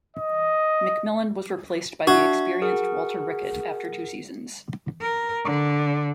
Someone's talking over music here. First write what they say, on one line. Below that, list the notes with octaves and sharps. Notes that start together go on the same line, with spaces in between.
McMillan was replaced by the experienced Walter Rickett after two seasons.
D#5
D4 F#4 E5
G#4 A#4 F#5
A#4
D3